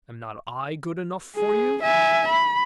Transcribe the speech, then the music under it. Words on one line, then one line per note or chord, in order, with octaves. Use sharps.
Am not I good enough for you?'
G#4
E5 G#5
B5